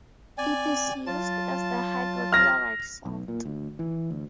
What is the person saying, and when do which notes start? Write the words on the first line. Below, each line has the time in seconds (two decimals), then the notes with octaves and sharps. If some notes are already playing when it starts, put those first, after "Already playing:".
It is used as the hydrochloride salt.
0.38 C4 D5 G#5
1.07 F#3 F4 A5 A6
2.32 F6 A#6
3.06 B1
3.28 A#2
3.45 D2
3.79 E3
4.11 D2